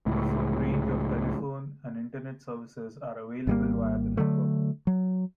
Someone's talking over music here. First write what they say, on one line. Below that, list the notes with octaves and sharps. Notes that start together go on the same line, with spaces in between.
A full range of telephone and Internet services are available via the network.
C#2 A2
G#1 G3 A#3
D3 F#3 A3
F#3